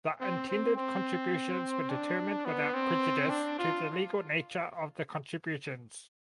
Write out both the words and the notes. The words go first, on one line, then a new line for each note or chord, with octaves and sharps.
The intended contributions were determined without prejudice to the legal nature of the contributions.
C4
C4
C4
D4
B3
C4
D4
F4